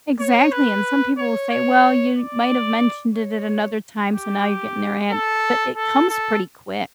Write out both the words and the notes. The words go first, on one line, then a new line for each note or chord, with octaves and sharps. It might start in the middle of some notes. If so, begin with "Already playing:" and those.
Exactly, and some people will say, "Well, you might have mentioned it at another time, so now you're getting their ads." But, it comes pretty quick
C#5
B4
C#5
C#5
D5
C#5
G4
A4
A4
A4